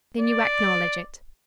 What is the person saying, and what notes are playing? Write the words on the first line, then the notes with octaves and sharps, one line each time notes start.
"Then you acknowledge it?"
D5